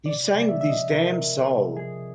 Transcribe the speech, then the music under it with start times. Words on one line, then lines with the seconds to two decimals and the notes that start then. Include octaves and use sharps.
He sang with his damn soul.
0.06 C3 D5
0.27 D5
0.35 C3
0.49 E5
0.61 F3 E5
0.70 D#5
0.91 C3 A#4
1.19 C4
1.47 C3
1.76 F3 G#4